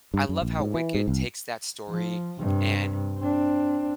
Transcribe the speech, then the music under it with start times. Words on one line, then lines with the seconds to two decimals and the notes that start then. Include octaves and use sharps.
I love how Wicked takes that story and
0.14 G2
0.29 F#2
0.42 A#1
0.60 G#2
0.74 E3
0.94 G#2
1.08 C2
1.89 F3
2.39 G2 C3
3.18 C4 D4